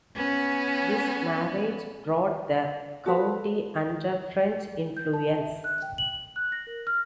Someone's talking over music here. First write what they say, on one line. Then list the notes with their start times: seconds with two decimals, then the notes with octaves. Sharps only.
This marriage brought the county under French influence.
0.16 B3 C#4
3.06 F#4 A4 B4
4.97 G6
5.13 A5
5.38 E5
5.64 F#6
5.82 G5
5.98 F#7
6.36 F#6
6.52 A#6
6.67 A#4
6.87 F6